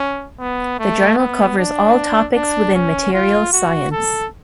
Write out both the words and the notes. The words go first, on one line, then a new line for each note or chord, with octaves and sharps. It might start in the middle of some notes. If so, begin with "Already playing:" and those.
The journal covers all topics within materials science.
Already playing: C#4
B3
A3
B3
D4
D4
C#4
F4
F#4
A4